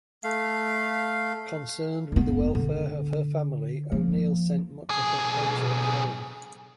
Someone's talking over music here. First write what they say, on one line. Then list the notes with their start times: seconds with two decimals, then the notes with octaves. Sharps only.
Concerned with the welfare of her family, O'Neill sent much of her paycheck home.
0.24 A3 F5
2.12 F#1 B3
2.55 D3
3.92 F3 A#3
4.90 B1 G#4